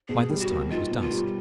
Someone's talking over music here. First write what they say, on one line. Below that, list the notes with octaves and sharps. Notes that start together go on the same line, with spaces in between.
By this time it was dusk.
B2 G#4
G3
F#4
A#3
D#4 F4
B2
F4
G3